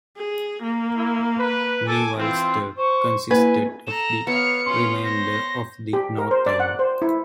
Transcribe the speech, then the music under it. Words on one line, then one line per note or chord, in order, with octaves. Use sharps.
New Ulster consisted of the remainder of the North Island.
G#4
A#3
E4
B4
A4 G#5 D6
E3 C4 F4
C5 C#6
A#3 E4 B4 G#5
A4 A#5 E7
B3 C#5 F5 C#7
C#4 F4 C6
C5 C#5 A#6
G4
A#4
C5
D5
F#5
C5
E4